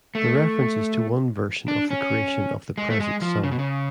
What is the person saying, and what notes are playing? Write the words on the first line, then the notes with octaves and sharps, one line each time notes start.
The reference is to one version of the creation of the present Sun.
A3
D4
C#4
G#3
A3
G#3
F3
C#3
B2
C#3